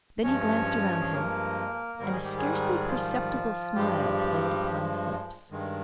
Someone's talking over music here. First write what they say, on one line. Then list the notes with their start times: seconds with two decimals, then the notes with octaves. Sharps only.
Then he glanced around him, and a scarcely perceptible smile played upon his lips.
0.23 G2 F3 G#3 C#4 C#5
1.00 G#4
1.10 A#3 A#4
1.99 G#2 D#3 G3 A#4
2.11 G#4
2.25 G4
2.38 G#3 G#4
2.86 F3 F4
3.75 G2 F3 G3 G#3 G4
5.51 G2 D#3 G#3